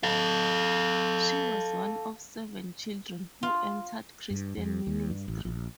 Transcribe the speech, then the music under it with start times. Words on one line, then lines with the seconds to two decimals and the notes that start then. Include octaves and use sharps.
She was one of seven children who entered Christian ministry.
0.03 A4 F5
3.43 F4
4.30 G2
4.57 F2
4.87 D#2
5.10 G2
5.28 A1
5.45 A#1